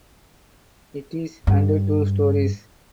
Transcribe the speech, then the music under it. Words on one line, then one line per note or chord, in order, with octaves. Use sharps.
It is and two stories.
G2